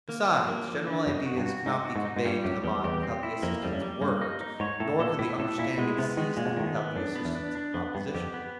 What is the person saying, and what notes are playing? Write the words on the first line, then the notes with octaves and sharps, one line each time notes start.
Besides, general ideas cannot be conveyed to the mind without the assistance of words, nor can the understanding seize them without the assistance of propositions.
A#3
F3
A#3
F3
D3
F#2 D#4
F#4
G2
F#4
G#2 D#4
F#4
G#2
D#4
G#2
G2 G3
F#2 G4
E2 G3
E2 G4
C4
E4
F2 A#3
F2 G3
F#2
G3
G2 A#3
D#4
D#4
G#2 C#5
A2 A4
A#2 A4
A2 E4
A2 A4
A#2 E4
B2 G#3
C3 B3
D#3 G#3
A#2 G#3
B2
A#2
A2 D#3
G#2
B3
F#2 D4
B3
E2
D4
D4
F2 B3
G2 B3
F2 G4
B3